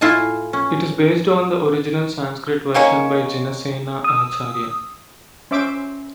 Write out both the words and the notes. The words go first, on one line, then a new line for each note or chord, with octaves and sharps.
It is based on the original Sanskrit version by Jinasena acharya.
A2 E4 F4 A4 G#5 A5
C#4
D#3 A#3 C#4 C#5
D#6 E6
C#4 C5 E5 D6 E6